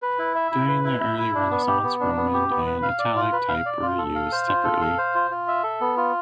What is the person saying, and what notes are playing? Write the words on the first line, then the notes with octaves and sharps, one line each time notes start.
During the early Renaissance, roman and italic type were used separately.
B4
E4
E5
E4
B4
E4
E5
E4
D4
B3
G4
B3
D4
B3
G4
B3
B4
F5
D5
F4
B4
F5
D5
F4
A4
F5
C5
F4
A4
F5
C5
F4
F4
E5
A4
B3
F4